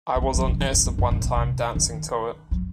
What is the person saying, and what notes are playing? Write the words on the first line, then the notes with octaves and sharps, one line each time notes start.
I was on acid one time dancing to it.
A3
G3
F#3
C3
D#3
E3
F#2
E2
F#2
A2
C3
C3
D#3
F#3